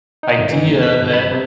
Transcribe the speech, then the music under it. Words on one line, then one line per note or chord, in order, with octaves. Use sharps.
idea that
D#4
G1
E3
D#2
B6
G1
B5
C3